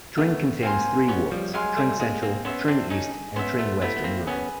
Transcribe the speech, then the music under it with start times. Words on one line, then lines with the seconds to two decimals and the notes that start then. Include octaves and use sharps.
Tring contains three wards: Tring Central, Tring East and Tring West and Rural.
0.17 A3 B3 C#5
0.62 A#3 C4 F5 G#5 C6
1.08 B3 C#4 C#5
1.31 F3 G3
1.54 F#3 G#3 F5 G#5 C6
1.77 G3 A3
2.00 G#3 A#3 G#4
2.22 A#3 C4
2.45 B3 C#4 C5 E5
2.68 C4 D4
2.90 C#4 D#4 G#4
3.36 B3 C#4 C5 E5
3.58 A3 B3
3.81 A3 B3 E4
3.96 B3
4.04 A#3 C4
4.27 B3 C#4 G#4 B4